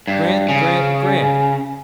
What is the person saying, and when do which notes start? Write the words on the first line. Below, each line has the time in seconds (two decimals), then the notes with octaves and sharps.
Grant, Grant, Grant!
0.07 G2
0.49 C#3